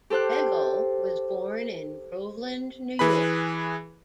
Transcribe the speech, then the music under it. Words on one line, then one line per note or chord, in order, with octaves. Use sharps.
Begole was born in Groveland, New York.
G4 A4 C5 G5 F#6
E3 G#4 B4 B5